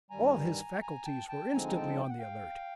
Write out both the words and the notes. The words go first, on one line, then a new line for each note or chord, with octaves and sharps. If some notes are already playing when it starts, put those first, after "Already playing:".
All his faculties were instantly on the alert.
G2 D#3 G3 G#5 A#5
G#5 A#5
G5 A5
G5 A5
D3 F3 G#3 C4 D#4 G#5 A#5
A#5
G5 A5
G5
F#5
F5 G5